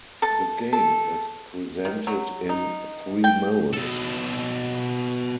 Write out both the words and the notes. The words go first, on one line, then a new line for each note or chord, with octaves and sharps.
The game is presented in three modes.
A4 A5
A4
D#3
F#3
D#4
G5
B2 A4